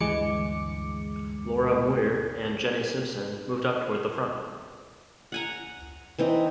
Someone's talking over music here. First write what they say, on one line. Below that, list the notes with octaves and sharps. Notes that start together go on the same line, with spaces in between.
Laura Muir and Jenny Simpson moved up toward the front.
D2 G2 E3 G#3 D6 C#7
F#5 G#5 A#5
E3 C4 D#4